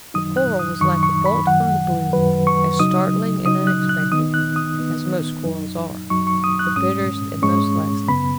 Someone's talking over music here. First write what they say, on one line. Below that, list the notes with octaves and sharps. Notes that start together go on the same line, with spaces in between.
The quarrel was like a bolt from the blue, as startling and unexpected--as most quarrels are--the bitterest and most lasting.
F#2 D#3 F#3 D#4 D#6
F#6
D#6
F#2 D#3 F#3 D#4 C#6
C#6
B5
F#2 D#3 F#3 F#5
F#2 D#3 F#3 B4
C#6
C#3 F#3 D#4 D#6
C#3 F#3 D#4 D#6
F#6
F#6
D#3 B3 D#4 D#6
F#6
D#6
D#3 B3 D#4
F#2 F#3 D#4
F#2 F#3 D#4 C#6
C#6
D#6
F#6
G#2 G#3 C#4 D#6
G#2 G#3 C#4 C#6
F#2 C#3 B3 B5